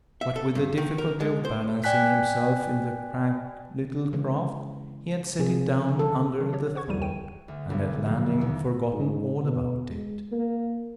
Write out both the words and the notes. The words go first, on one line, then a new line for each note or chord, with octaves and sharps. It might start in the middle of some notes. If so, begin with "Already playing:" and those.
But with the difficulty of balancing himself in the crank little craft he had set it down under the thwart, and at landing forgotten all about it.
E5
A4
G2
D#3
A#4
G#3
C5
D5 G5 G#5 F#6 B6
C#3 E3 G#3
C3 F3 G#4
D3 A4
D#3 F#3
G4 G#4 C#5
C5 F#5 C#6 G#6
C2 C#3 E3 G3 D#4 D#7
D#3 G5 D#7
D2
B1
F1
D#2
G#2
B2
G#3
A#3